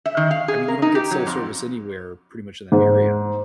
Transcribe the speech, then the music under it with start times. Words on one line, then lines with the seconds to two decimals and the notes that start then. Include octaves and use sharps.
I mean, you don't get cell service anywhere pretty much in that area.
0.06 E5
0.17 D#3
0.31 F5
0.48 G#4
0.68 A#4
0.82 D#4
0.95 G4
1.11 F#3
1.27 F2
2.72 G#2